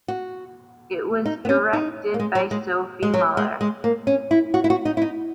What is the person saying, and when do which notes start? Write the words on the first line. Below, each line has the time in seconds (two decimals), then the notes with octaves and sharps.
It was directed by Sophie Muller.
0.08 F#4
1.26 D#4
1.45 B3
1.49 C#4
1.73 D#4
2.14 A#3
2.19 G#3
2.35 F#3
2.51 G#3
3.02 G#3
3.14 F#3
3.37 G#3
3.61 G#3
3.84 A#3
4.07 C#4
4.31 E4
4.54 F#4
4.64 E4
4.70 F#4
4.85 D#4
4.97 E4
5.02 D#4